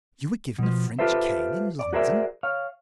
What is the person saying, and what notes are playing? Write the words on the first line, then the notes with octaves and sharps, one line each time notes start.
"You were given a French cane in London!"
B2 F3
F4 G4 A4 B4 C5 E5
D5
F#4 G#4 A#4 C5 D5 E5
C#5 F5